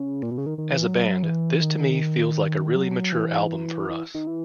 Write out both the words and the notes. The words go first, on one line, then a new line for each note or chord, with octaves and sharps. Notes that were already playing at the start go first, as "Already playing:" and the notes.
As a band, this to me feels like a really mature album for us.
Already playing: C#3
A#2
B2
C#3
D#3
D#3
E3
F#3
E3
D#3
F#3
E3
E3
D#3
E3